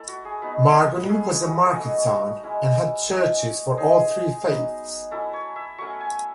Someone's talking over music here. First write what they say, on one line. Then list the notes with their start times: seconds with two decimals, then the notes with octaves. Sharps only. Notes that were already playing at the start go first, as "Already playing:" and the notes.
Margonin was a market town, and had churches for all three faiths.
Already playing: A3 E4 A4
0.08 F#4
0.25 G#4
0.42 F#3 B3 D#4 B4
1.08 A3 C#4 E4 G#4
1.42 F#4
1.70 G#4
1.76 A3 D#4 F#4
2.43 G#3 C#4 E4
3.10 A3 D#4
3.77 G#3 D#4 G#4
4.44 F#3 B3 D#4
5.11 F#3 C#4 E4 A4
5.33 C#5
5.56 E5
5.78 F#3 A3 C#4 C#6
6.00 G#5